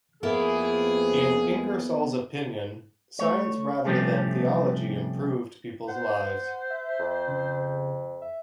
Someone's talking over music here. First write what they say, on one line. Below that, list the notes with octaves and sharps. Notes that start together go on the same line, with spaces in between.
In Ingersoll's opinion science rather than theology improved people's lives.
F2 A#3 B3 E4 G#4
A3 C#5
C3 F3 G3 A3 C4 C#4
C5 F#5
E5
F2
C#3
E5